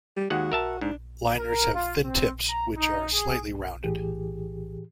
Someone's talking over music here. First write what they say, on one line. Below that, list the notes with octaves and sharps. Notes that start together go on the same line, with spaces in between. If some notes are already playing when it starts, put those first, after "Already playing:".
Liners have thin tips, which are slightly rounded.
G3
D#2 G#3 F#4 F#5
A#4 E5 A5
G#2 D4
A#4
F4
C4
A#5
D#4
G#4
A2 E3 G4 G#4